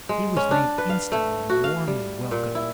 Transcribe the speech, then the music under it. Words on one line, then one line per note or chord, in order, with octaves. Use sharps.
He was made instantly and warmly welcome.
G#3
C#4
D4
B4
F5
A3
F#4
F5
G3
A#2
E4